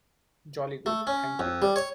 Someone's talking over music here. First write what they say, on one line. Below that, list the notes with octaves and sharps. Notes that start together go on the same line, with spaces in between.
Jolly good, thank you.
A3
C#4
F2
G3
C#5